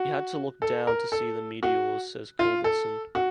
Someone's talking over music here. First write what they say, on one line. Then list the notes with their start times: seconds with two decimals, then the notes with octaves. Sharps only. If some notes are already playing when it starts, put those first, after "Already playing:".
"We had to look down to see the meteors," says Culbertson.
Already playing: F#4
0.62 A4
0.87 A#4
1.12 A4
1.63 F#4
2.39 F4
2.64 A4
3.15 F#4